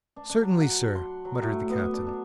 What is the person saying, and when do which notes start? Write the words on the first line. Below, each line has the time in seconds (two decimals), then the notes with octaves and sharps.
"Certainly, sir," muttered the captain.
0.16 D4
0.29 D4
0.41 F#3
0.61 F#5
0.95 C6
1.25 F#3
1.42 A2
1.70 B3
1.93 D4
2.07 D4